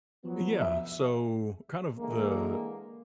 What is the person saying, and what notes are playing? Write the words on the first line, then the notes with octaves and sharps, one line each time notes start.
Yeah, so, kind of the
F3 F#3 B3
E5
D3 E3 G#3 A#3